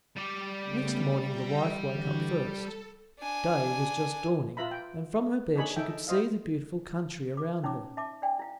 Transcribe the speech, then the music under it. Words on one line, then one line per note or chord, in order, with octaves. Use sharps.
Next morning the wife woke up first; day was just dawning, and from her bed she could see the beautiful country around her.
G3 D5
C#3 A3 B3
E5 G5 A#5
D3 E3 F#4
A4
D4 G#5
F4 B4 E5 A#5 B5
G5
D4 D#4 G#4 C#5 G#5 B5
D#4 A4 E5 G5
E4 F#4 C5 D#5 F5
D6
C#4 D#4 E4 C#5 D6
E5 A5 D6
D5 G5 G#5
E4 F5